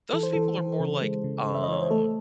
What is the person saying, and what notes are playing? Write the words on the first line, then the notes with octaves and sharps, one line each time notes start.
Those people are more like, um
E3 A4
C5
E3 A4
E3
C#3
G#3
C#3
C#3
E5
D#5
E3 C#5
C5
A3 A4